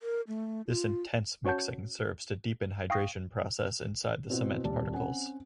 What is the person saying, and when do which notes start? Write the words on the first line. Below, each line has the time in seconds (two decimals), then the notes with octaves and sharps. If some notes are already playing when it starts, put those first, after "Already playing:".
This intense mixing serves to deepen hydration process inside the cement particles.
0.01 A#4
0.27 A3
0.67 F4
1.45 C#4 F#4 C#5 F#5 A5 G6
2.90 F5 G5 C#6 D#6 A#6 C7
4.30 B2 C4 E4 F#4
4.64 D#1 C2 D5 A5
4.93 C4 C#4 F#5 G#5